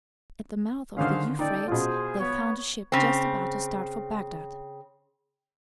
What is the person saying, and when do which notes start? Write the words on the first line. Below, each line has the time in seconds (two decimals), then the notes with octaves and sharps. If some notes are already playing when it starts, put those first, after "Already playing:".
At the mouth of the Euphrates they found a ship just about to start for Bagdad.
0.97 D3 D#3 C#4 G#4 C5 F5
1.39 D#4 A4 D5 G5
1.68 B2 F4 G#4 C5
2.19 B3 C#5
2.92 C#3 C4